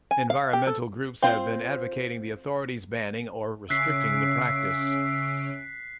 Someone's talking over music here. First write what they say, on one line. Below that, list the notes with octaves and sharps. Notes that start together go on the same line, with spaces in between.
Environmental groups have been advocating the authorities' banning or restricting the practice.
G#5
F5
G4
A4
C4 F4 C5
C#3 C#4 E5 F#6 B6 C7 D7